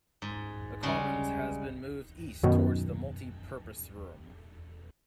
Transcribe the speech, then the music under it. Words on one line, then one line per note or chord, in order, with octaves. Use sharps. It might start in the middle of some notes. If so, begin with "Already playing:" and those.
The commons has been moved east towards the multi purpose room.
G#2
C#3 G3 G#3 C#4 F#4 G#4
F#2 B2 D#3